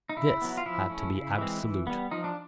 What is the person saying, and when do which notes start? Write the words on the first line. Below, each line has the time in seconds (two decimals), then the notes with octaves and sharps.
This had to be absolute.
0.09 D#4
0.17 C#3 E4
0.42 F#3 B3
0.57 F4
0.66 F3 E4
0.90 A3 C#4
1.15 C#3
1.38 E3 G#3 C4
1.63 E3
1.87 G3 B3
2.11 F3 D#4
2.24 D4